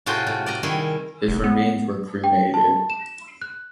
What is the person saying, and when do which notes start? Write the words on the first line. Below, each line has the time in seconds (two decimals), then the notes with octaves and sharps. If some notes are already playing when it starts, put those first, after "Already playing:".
His remains were cremated.
0.06 A2 C3 F4 F#4 G#4 G5
0.27 A2
0.46 D5 D#5 A#5
0.63 D#3 G3 E4 G#4
1.28 F1
1.44 B3
2.24 G5
2.54 A5
2.90 E7
3.42 F#6